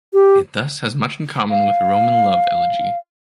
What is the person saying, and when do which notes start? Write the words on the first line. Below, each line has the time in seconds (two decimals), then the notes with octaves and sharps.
It thus has much in common with Roman love elegy.
0.13 G4
1.50 F5